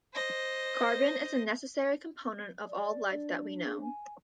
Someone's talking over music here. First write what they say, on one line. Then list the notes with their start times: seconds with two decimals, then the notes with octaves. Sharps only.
Carbon is a necessary component of all life that we know.
0.13 C5 D#5
2.67 D5
3.12 D4
3.64 G#4
3.82 G#5